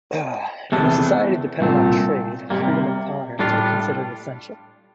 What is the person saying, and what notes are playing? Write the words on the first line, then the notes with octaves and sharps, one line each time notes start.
In a society dependent on trade, freedom and tolerance were considered essential.
E2 C3 E3 A3 D4
C2 A#2 A3 C4
C3 G3 A#3
A2 G3 D4 F4